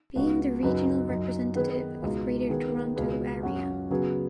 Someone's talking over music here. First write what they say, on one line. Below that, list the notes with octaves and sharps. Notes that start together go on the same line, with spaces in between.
Being the regional representative of Greater Toronto Area.
C#2 C#3 B3 F#4
F#2 C#3 F#3 D#4 B4
F#2 F#3 D#4
D#3 B3 D#4 G#4 B4
C#2 B2 G#3 D#4
D#3 B3 G#4 B4
C#2 B2 B3 G#4 B4
F#2 F#3 C#4 F#4
C#3 F#3 B3 G#4